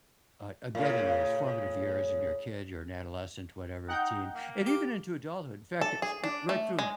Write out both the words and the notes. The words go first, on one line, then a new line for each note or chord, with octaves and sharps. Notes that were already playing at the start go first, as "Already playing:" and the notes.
a again, in those formative years and you're a kid you're an adolescent, whatever, teen, and even into adulthood, in fact, uh, s r right through
A2 C#3
D#4 F#5 G5 G6
A#3
G4 D6
A4
G#4
D4
A3
G#3